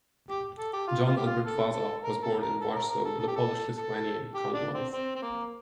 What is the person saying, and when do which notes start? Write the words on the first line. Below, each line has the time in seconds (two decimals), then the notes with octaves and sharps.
John Albert Vasa was born in Warsaw in the Polish-Lithuanian Commonwealth.
0.30 G4
0.59 A4
0.73 G4
0.87 F4
1.07 F4
1.17 G4
1.26 F4
1.46 A4
1.74 A4
2.04 A#4
2.23 A4
2.42 A#4
2.61 A4
2.76 A#4
2.90 A#4
3.05 A4
3.19 A4
3.28 G4
3.36 A4
3.77 A4
4.35 G4
4.54 D4
4.74 C4
4.93 C4
5.16 C4
5.22 A#3